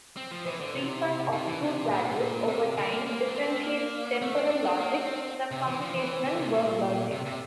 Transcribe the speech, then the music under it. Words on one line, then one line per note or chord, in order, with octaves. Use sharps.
This treatment of truth values over time differentiates temporal logic from computational verb logic.
C4
F3
E3
D3
C3
C3
E3
C3
A#2
C3
A#2
C3
D3
A#3
A#3
D4
C4
A#3
A3
C4
D4
C4
A#3
C4
C3
E3
F3
E3
D3
C3
A#2
C3
C3